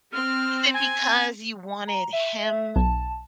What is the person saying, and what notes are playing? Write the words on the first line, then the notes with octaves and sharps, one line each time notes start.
Is it because you wanted him
C4 F6
G#5
A#5
E5
B1 A5